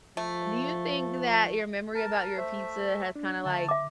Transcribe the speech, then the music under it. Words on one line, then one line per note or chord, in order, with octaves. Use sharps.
do you think that your memory about your pizza has kinda, like,
F3 A3
A#4 A5
A3 C5 E5
D4
D3 A3 A5
E5 D6